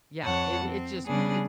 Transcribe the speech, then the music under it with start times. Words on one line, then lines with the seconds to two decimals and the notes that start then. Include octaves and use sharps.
Yeah. It it's just it's
0.23 F2 C#5 F#5 A5
0.63 C4
1.06 C#3 G3 B3 D4 G#4